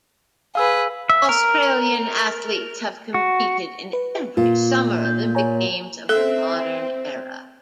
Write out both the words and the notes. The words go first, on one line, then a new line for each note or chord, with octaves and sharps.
Australian athletes have competed in every Summer Olympic Games of the modern era.
G#4 B4 F5 E6
E5
A#4
F#4
B4
A#2 F4
A#3 G6
C#5 G#5 A#5
C4 A4 E5